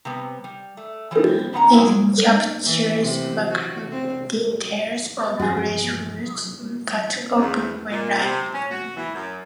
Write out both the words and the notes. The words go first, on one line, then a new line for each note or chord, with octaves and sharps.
It captures macro details of fresh fruit cut open when ripe.
C3 G3 B3
G3
A3
E3 G3 C5
D3 A#3 B3 F#5 A#5
B2 F#3 G#3 C#4 D4 E4
E3 A#3
C3
F#4
C4
G2 E3 F3 F#4 G#4
G#4
E2
A#2
C3
C#4
F#4
E3
F#2